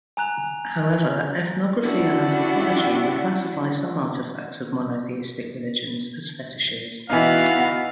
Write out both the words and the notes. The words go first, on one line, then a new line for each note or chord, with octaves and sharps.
However, ethnography and anthropology would classify some artifacts of monotheistic religions as fetishes.
G#5 A#5 F#6 F7
C#4 D4 E4 F#4 G4
E3 B3 D#4 F#4 F5